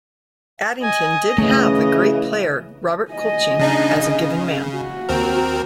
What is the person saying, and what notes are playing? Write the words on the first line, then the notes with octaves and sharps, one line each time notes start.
Addington did have the great player Robert Colchin as a given man.
D#5 G#5
C#3 E3 A3
D#5 G#5
C#3 D4 D#4
C#3
F#4
D#2 C4 A#4